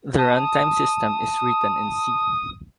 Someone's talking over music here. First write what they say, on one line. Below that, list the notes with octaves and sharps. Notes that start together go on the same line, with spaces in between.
The run-time system is written in C.
A5 D#6